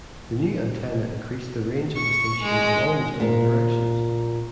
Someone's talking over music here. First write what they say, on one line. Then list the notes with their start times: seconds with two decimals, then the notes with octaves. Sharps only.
The new antenna increased the range of the station in almost all directions.
1.96 C#6
2.43 G#3
3.20 A#2